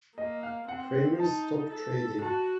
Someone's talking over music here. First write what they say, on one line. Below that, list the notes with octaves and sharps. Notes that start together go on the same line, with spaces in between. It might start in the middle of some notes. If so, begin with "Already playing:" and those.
Cramer's Stop Trading!
A#3 D#5
F5
C4 F#5
D#4 A5
A4
F#4 A5